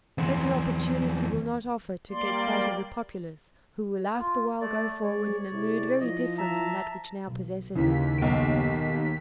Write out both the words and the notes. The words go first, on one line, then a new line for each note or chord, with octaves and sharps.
Better opportunity will not offer to get sight of the populace who will afterwhile go forward in a mood very different from that which now possesses them.
E2 C4
G3 A#3 D5 C6
F4
A3 D5
G#3 C4 C#5 D5
C3 E4 G#4
F3 E4 D#5
E5 A5 A#5
B1
D#2 C#3 E3 B6
B1 D7